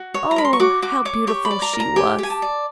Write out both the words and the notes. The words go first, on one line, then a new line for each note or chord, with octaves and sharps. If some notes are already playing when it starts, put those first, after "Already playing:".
Oh, how beautiful she was!
Already playing: F#4
C#5
A#5
A#4 B5
C6
C#6
F#4 D6
F#4 D6
C#5 D6
G4 C#6
B5
D5
A#5
A#4
A#5
G4 G#5
G4 G#5
A5
D5